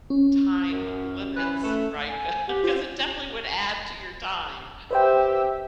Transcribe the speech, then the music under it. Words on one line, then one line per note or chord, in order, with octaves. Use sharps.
time limits, right? 'Cau 'cause it definitely would add to your time.
C#4
F#2
E3 F#3 B4
A3
G#5
G4 F#5
F4 C5
G4 B4 C5 E5 G5